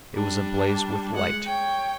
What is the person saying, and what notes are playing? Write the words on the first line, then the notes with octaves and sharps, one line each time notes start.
It was ablaze with light.
G3 D4
G#3 F#5
C#5 G5